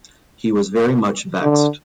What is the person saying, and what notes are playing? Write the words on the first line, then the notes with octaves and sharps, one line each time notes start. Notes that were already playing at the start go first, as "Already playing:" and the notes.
He was very much vexed.
D3